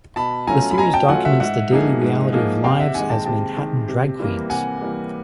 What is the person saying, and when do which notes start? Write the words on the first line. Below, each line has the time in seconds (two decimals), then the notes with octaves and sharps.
The series documents the daily reality of lives as Manhattan drag queens.
0.16 B2 A5 B5
0.47 F#3 A3 C#4 F4 G#5 A#5
0.71 B5
0.78 B2 G#5 A#5
0.94 G5 A5
1.09 F#3 A3 C#4 F4 F#5 G#5
1.25 E5 F#5
1.40 G#2 E5 F#5
1.71 F3 A#3 D#4 G#4
2.02 G#2
2.33 F3 A#3 D#4 G#4
2.64 C3 F5 G5
2.80 E5 F#5
2.94 D#3 G#3 F#5 G#5
3.10 G5 A5
3.25 C3 G5 A5
3.57 D#3 G#3
3.88 C3
4.19 E3 G3 A#3
4.50 C3 F#5 G#5
4.81 E3 G3 A#3